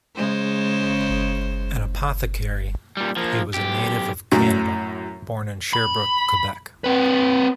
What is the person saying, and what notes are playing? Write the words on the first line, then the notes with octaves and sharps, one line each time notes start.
An apothecary, he was a native of Canada born in Sherbrooke, Quebec.
C#3 G#3 C5
A#2 G3
F3 A#3
B1 G4
F#2 A2
B5
C4 B4